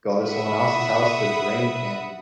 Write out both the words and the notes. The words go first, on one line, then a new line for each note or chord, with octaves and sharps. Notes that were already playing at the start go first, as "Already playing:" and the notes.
go to someone else's house to drink, and,
E5 F#5 B5 D#6